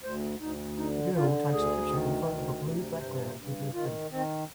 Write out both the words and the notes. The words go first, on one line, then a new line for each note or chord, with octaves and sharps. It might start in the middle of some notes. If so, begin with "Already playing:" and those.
A girl takes a picture in front of a blue background with her friend.
D2 C5
D2 D#4
D3 D#4
D3 F4
D2 G#4
D#3
D2
C3
G2 C5
C5
G2
D#3 F4
D#3 C4